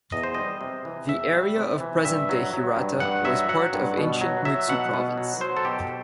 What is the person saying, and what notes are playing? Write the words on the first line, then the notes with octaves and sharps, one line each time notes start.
The area of present-day Hirata was part of ancient Mutsu Province.
E2 D#5
C5
G3 D#5
C3
E3
E2 E5
G3
C3
E3
G2 E5
F#3
F#3
G2
G2 F#5
F#3 E5
F#3 F#5
G2
B2
F#3
F#3 E5
B2 F#5
B2
F#3
F#3 C5
A4
B2 G4